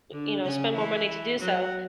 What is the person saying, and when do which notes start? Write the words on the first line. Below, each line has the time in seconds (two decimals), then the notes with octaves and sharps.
you know, spend more money to do so,"
0.12 D3
0.43 C#3 C#4
0.75 E3 E4
1.38 F#3 F#4